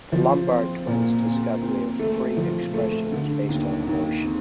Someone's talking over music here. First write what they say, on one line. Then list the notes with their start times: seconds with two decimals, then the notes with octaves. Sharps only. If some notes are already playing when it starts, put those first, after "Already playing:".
The Lombard Twins’ discovery of "Free Expression" was based on emotion.
0.12 F3
0.49 C4
0.87 A#2
1.25 C4
1.62 C4
1.99 A3
2.37 F3
2.74 A3
3.11 D3
3.49 D#2
3.87 D#2
4.23 C4